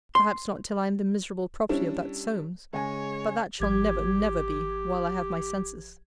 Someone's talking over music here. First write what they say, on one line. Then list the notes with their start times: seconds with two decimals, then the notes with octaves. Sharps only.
Perhaps not till I am the miserable property of that Solmes!--But that shall never, never be, while I have my senses.
0.15 C6
1.69 G3 C#4 D4 E4
2.73 C#3 G#3 C#5 G#5
3.60 G#1 F3 G4 G#6